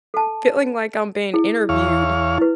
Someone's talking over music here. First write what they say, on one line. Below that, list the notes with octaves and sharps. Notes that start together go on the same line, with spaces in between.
feeling like I'm being interviewed
A4 A5
E4 G#4
E2 C#5 F5
E4 B4